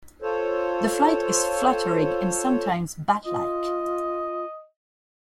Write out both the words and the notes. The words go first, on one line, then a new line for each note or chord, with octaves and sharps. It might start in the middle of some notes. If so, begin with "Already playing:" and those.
The flight is fluttering and sometimes bat-like.
F4 A4 C5 C#5
F4 D#5